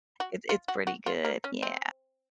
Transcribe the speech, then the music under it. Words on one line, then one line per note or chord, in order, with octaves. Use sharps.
it's it's pretty good. Yeah,
F#4
F4
F#4
F#4
F4
A#3
C#4
C4